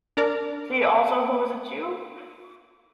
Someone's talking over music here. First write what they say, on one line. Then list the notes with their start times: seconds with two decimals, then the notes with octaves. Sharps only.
See also Who is a Jew?
0.17 D4 A#4 D5